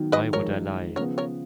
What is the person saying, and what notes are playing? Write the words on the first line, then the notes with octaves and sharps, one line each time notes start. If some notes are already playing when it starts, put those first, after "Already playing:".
Why Would I Lie?
Already playing: D#3 F#3 B3 D#4
B4 D#5
F3 G#3 D#4 A#4 C#5
C#3 F3 B3 A#4 C#5
A#4 C#5